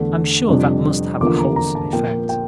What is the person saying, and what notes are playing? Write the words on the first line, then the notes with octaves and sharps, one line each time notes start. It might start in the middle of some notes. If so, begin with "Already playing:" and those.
I'm sure that must have a wholesome effect.
Already playing: E2 D3 A3 D4
F2 C3 G3 D4
E2 D3 F3 A#3 D6
A#5
A#5
A5
A#2 F3 A#3 G5
G5